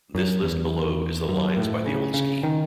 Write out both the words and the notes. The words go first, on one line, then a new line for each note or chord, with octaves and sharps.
This list below is the lines by the old scheme.
F#2
E2
F#2
A2
C#3
C#3
D#3